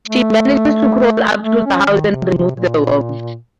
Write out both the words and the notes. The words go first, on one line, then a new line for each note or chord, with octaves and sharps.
She manages to crawl up to the house and remove the worm.
A3
A3
C#4
D#3
C3
C3
A#2